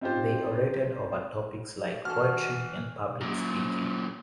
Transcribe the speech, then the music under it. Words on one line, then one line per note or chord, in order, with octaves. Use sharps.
They orated over topics like poetry and public speaking.
C4 D#4 F4 G4 C5
E3 D4 F#4 A4 F6
F#2 A#2